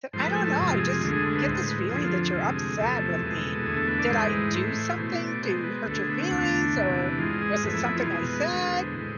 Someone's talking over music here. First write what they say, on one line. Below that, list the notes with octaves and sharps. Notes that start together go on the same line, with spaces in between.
Said, "I don't know, I just get this feeling that you're upset with me. Did I do something to hurt your feelings? Or, was it something I said?"
G#2 F3 A3 C5
B4
A4
A4
F2 C3 G#3
F4
G#4
G#4
D2 D3 G#3 F4
G#4
A4
B4
A2 G#3 C5
C5
B4
F2 D3 F3 G#4
F4
D2 C3 G#3 A4
G#4
E2 C3 F3 A3 A4
E2 B2 G#3
E2 D3 A3 G#4
A4
B4
D5
G#2 E3 G#3 C5
A2 E3 A3
B2 A3 C5
D5
D5
B2 G#3 C5
B4
D2 D3 A3 A4
G#4
B3
C4
E2 D3 A3 D4
E2 C3 E3
G#2 G#3 F4
G#4
F2 E3 A3 B4
E4
E4
F4
B2 G#3 G#4
B4
B4
G#4
E2 D3 G#3 B4
C5
A2
G#3